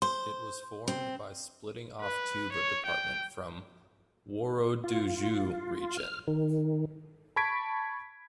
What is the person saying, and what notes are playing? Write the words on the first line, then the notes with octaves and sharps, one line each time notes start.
It was formed by splitting-off Touba Department from Worodougou Region.
C5 C6
C4
B4
C#5
G5
F4
F6
D#3
A5 B5 C#6 G#6 B6 D7